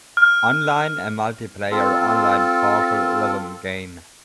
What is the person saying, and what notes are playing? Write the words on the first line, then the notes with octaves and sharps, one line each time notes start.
Online, a multiplayer online casual rhythm game.
F6
C4 F4 A4